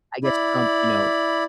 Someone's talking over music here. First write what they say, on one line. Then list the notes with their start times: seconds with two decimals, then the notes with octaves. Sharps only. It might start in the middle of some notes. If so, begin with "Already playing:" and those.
I guess Trump, you know,
0.24 E4 D5 B5